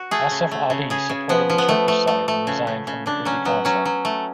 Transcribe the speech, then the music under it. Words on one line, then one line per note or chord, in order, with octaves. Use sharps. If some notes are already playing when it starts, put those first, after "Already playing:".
Asaf Ali supported the Turkish side and resigned from the Privy Council.
Already playing: F#4
A3 G#4
C#3
A3
C#3
C#3 G#4
C#3
F3 B3
F3
B3
A3
A3
A3
A3
C#3
C#3
C#3
C#3 D4
F#3 C#4
F#3 B3
F#3 C#4
F#3
A3